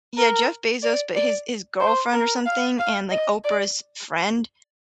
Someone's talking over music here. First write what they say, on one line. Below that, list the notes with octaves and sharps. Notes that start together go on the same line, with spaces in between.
Yeah, Jeff Bezos, but his his girlfriend or something and like, Oprah's friend,
A#4
D5
D5
C5
A#4
F5
F5
D#5
D5